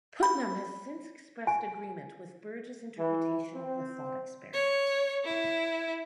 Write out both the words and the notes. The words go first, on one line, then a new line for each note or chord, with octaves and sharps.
Putnam has since expressed agreement with Burge's interpretation of the thought experiment.
B5
G#5
E3
C4
C#5
E4